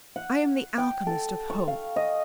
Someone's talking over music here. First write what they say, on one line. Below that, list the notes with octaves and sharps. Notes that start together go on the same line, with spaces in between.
I am the alchemist of hope.
F#5
G5
A4
C#6
F5
D#5